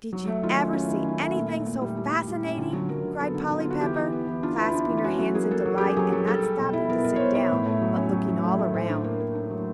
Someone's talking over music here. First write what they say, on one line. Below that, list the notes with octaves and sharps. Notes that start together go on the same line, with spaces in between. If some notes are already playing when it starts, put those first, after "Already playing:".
"Did you ever see anything so fascinating?" cried Polly Pepper, clasping her hands in delight, and not stopping to sit down, but looking all around.
F#3
A3
D#3 F4
C#4
C#4 F4
D#3 E4
C#4 E4
A3
A#2
A#2
A#2
G3
G3
A#2
G3
C#4
D3 F4
F#3
F#3 A#4
D3
B3 A4
D3
D3
F4
B3
F#4
E3 G4
E3
B3
E3
D4 F4
B3 E4
F4
D4
E3
F4
C#4 F#4
F#3 F#4
A#3 G#4
A#3 A4
F#3
G4
C#4 G#4
F#3 G#4
F#3 A4
G3 A4
G3
B2
E4
B3 A#4
B2 A#4
C#5
B3 C5
E4 C#5
A2
A3
F#3
C#4
F#3
F#3
A3
A3
A2 C5
D4
A#3
A#3
D4
F#3